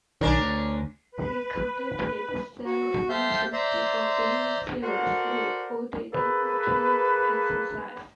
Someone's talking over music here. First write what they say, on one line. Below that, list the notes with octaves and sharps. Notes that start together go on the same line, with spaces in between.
He completed seventeen missions before being seriously wounded in a training exercise.
B1 D#3 C#4 D4 A#4
D2
B4
F#4
G4 A4 C5 E5 F5 G6
C5 D5 E5 A#5 C6
F#4 A4 A#4 C5 D5 F#5
A#3 G#4 A4 B4